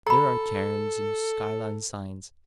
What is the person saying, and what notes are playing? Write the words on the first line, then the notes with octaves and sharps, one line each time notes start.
There are cairns and skyline signs.
A4 A#5 B5